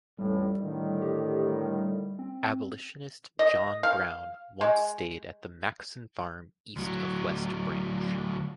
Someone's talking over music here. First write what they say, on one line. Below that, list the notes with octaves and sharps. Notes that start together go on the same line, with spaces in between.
Abolitionist John Brown once stayed at the Maxson farm east of West Branch.
A1 F2 A2 G3
A2 D3 D#3
G4
G3
C4
D#5
F5
G#3
D2 F#3